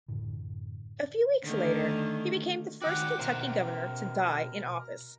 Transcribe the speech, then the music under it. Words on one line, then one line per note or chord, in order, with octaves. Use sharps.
A few weeks later, he became the first Kentucky governor to die in office.
F#2 A2 D3 E3
D3 D#3 A3
D#3 F#4 F#5 G5 D6
B2 A#4 C5